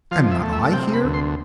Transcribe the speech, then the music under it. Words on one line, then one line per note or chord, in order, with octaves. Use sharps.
"Am not I here?"
F3 F5
E5
A3
E5
C3 G5
B5
D2
C6